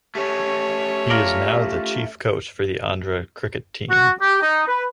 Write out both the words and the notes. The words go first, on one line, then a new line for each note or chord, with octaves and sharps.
He is now the chief coach for the Andhra cricket team.
A3 C#4 G4 C#5
F4 A#4 D5
F#4
G4
D#4
B4